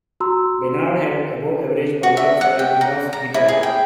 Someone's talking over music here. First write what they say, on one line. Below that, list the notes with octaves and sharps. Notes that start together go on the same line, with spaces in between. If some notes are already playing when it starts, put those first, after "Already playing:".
Benard had above-average power for a leadoff hitter.
F#4 A#5 C6 E6
F#4
E5
F#5
G5
A#5
A#5
E4
G#4
G5